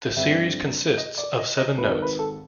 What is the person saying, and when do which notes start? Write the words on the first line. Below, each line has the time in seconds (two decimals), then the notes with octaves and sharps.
The series consists of seven notes.
0.16 G2 D3 G3 C4 E5
0.97 D#5
1.18 D5
1.38 D#5
1.57 D#5
1.78 G#1 G#2 D#3 B4
1.91 A#4
2.02 B4
2.19 A4